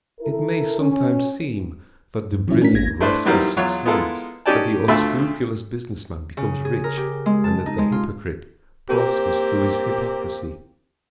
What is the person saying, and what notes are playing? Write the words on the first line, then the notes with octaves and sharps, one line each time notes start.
It may sometimes seem that the brilliant rascal succeeds, that the unscrupulous business man becomes rich, and that the hypocrite prospers through his hypocrisy.
E4 A4 A#4
C#4
G2
E3 F#3 G3 C#4 E4
A3 C#4 D4 A#4 B6
G#1 A#3 G#6 A#6
A3 D4 E4 B4 C5
D#3 E3 F#3 G3 A#3 C4
E2 F#3 F4 C#5
G#3 B3 E4 F4 A4 A#4
C#4 D#4 G4 D5 G#5 A5
D2 D3 A3 F4 E5 B5
C#3
G#4
A#4
G4
G#3
A5
D#4
G#3
F4
A#3 C4 G4